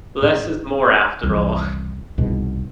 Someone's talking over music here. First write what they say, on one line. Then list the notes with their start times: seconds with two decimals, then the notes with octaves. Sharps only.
Less is more after all.
0.22 G#2
1.23 C2 F2 E3
2.18 C2 F2 G#2 B2